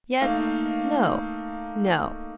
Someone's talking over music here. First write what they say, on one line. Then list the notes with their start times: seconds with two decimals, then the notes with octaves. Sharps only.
Yet, no! No.
0.21 A3 A#3 D#4 F5